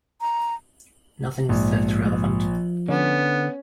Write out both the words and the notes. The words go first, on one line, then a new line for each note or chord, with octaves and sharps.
Nothing's that relevant.
A#5
A#1 G#2 F3
D3 B3 C#4